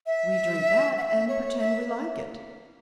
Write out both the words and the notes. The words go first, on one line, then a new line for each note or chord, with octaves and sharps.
We drink that, and pretend we like it.
E5
F#5
E5
C#5
E5